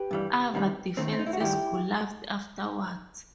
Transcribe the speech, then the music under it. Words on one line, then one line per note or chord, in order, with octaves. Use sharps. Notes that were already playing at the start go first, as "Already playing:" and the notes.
Ava defenses collapsed afterwards.
Already playing: G4 B4
G2 E3 G3
C2 C3 D#3 G3
D#2 D#3 A3 C4
C4
D#4
E4
F#4
G2 D#3 G3 E4 G4